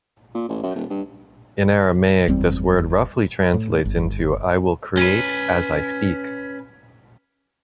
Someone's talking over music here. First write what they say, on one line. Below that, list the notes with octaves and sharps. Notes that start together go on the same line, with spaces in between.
In Aramaic this word roughly translates into I will create as I speak.
A#2
A1
F#2
D#1
G2
F#1 E2 G3 C4
A2
G1
C#4 B4